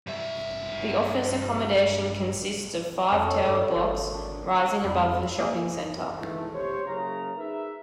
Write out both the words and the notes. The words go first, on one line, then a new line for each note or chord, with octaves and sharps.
The office accommodation consists of five tower blocks rising above the shopping centre.
G2 E5
F2 D#4 A4 C#5
G2
G#1
D4
F2 E4
A#3 G#4
D#3 E3 G#3 A3
G4 C5 C#5
F#1 C#3 A#5
D#4 G#4 A#4 B4 E5